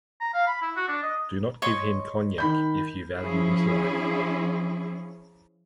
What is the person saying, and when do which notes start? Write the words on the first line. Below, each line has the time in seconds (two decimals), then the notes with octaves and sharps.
Do not give him cognac if you value his life.
0.21 A#5
0.34 F5
0.47 B5
0.62 E4
0.76 F#4
0.88 D4
1.03 D#5
1.62 C#5 D#5 C6
2.38 D#3 B5 G6
3.18 F3 C#4 E4 G#4